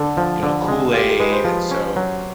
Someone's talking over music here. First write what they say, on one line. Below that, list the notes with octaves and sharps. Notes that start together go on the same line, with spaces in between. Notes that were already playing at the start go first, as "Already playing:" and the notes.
you know, Kool-Aid, and so,
Already playing: D3 A4
F3
D3
G#3
F4 G4
A#4
G#3 B4
C5
F3
C#4
F#3